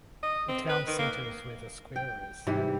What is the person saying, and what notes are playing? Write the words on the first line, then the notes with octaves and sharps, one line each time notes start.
The town centre is where The Square is.
D#5
C4
B4
D#3
A#3
G5
G#2 C3 E3 G3